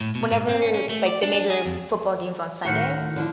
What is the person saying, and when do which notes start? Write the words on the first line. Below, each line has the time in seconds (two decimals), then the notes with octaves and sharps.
whenever, like, the major football games on Sunday,
0.01 A2
0.15 B2
0.32 G#2
0.49 C4
0.62 C#4
0.74 C#4
0.89 A3
1.06 D5
1.23 D4
1.34 D4
1.50 G#4
1.66 F2
2.65 D2 A2 D#3 F#4
3.16 D3 F3 E4